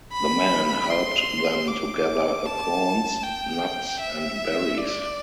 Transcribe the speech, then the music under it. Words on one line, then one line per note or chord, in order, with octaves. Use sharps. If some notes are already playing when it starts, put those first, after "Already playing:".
The men helped them to gather acorns, nuts, and berries.
B5
C6
D6
A5
G5
E5
D5